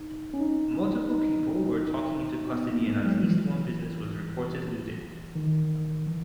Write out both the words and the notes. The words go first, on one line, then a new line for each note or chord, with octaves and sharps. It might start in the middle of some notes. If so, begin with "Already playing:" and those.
Multiple people were taking into custody and at least one business was reported looted.
Already playing: D#4
C#4
D#4
D#4
B3
A#3
G#3
F#3
E3
D#3
E3